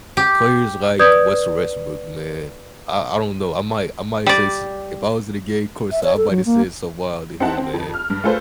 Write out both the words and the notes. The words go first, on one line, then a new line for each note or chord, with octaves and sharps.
players like Russell Westbrook, man, I I don't know, I might, I might say s if I was in a game courtside, I might have said something wild to him, man,
G4
B4 D5 D#6 G6 G#6
G3 D5
E5
C#5
A4
F#3
A#3
C4 D#4 E4 F#5 A5
C4
F2
F6
G2
A3 F4 G#4 A4 B4 C5